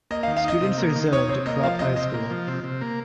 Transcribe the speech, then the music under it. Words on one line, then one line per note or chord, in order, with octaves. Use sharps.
Students are zoned to Krop High School.
A#3 D#5
F5
D#3
F5
D#4 D#5
C3
A#3
D#3
D#4 C#5
C3 C#5
A#3 D#5
F3 F5
C3 D#5
C3 D#5
A#3
F3
C3
C3
A#3